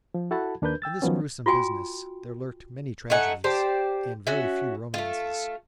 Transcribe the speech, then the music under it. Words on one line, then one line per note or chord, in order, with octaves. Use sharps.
In this gruesome business there lurked many tragedies, and very few romances.
F3
E4 F#4 A4 F#5 A5 B5
D#2 D4 A#4 B4 G6
G5 E6 A6
D#3 F3 F#3 B3 C#4
F4 F#4 G5 G#5
A3 D#4 F#5 G#5
G4 C5 D5 A5
C#4 F#4 E5
A3 F4